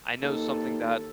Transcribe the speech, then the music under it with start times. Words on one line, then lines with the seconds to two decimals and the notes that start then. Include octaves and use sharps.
I know something that
0.22 D#2 A4